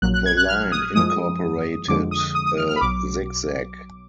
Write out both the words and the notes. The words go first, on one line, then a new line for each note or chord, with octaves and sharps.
The line incorporated a zig zag.
A#1 A#2 F#3 F#6
F#6
G#6
F#6
F6
D#6
F#2 F3 G#3 D#6
F2 D3 F3 G#3 D6
D#6
D#6
D#6
F6
F6
B5
B1 B2 F#3 D6